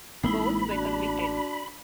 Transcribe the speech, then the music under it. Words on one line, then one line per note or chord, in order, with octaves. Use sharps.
Both were convicted.
A1 G#3 A#3 C4 D#4 E4 B5
D4 F#4